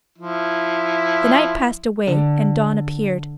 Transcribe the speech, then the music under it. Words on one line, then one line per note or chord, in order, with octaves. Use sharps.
The night passed away, and dawn appeared.
F3 E4
D3